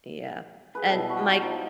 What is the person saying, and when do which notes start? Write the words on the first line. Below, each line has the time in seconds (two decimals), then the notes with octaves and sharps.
Yeah. And my
0.75 G#4 B4
0.89 B2 G3 E4 A4
1.09 F#4
1.42 F3 D#4 A#5